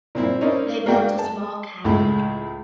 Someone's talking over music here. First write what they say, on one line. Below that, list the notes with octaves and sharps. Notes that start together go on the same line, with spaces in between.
They built a small cabin.
A#2 C4 E4
C#4 D#4 E4 A#4 C5 D5
G#3 A#3 D4 F#4 G5
A5
C#2 A2 G#3 E4